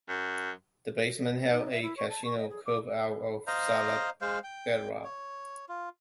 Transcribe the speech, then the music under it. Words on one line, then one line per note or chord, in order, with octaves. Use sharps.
The basement held a casino, carved out of solid bedrock.
F#2
D#4
E5
E4
C#5
A5
C#6
D#5
G#4
D6
C5 D#5 F5 A#5
G#3 C5 F5
G5
C#5
F4